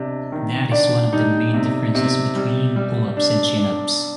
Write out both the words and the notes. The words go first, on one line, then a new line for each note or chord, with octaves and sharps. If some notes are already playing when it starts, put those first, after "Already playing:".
That is one of the main differences between pull-ups and chin-ups.
Already playing: C3 D4 D#5
D#3
D4 D5
G3 D#4
C3
C3
G3
G3
D4
D4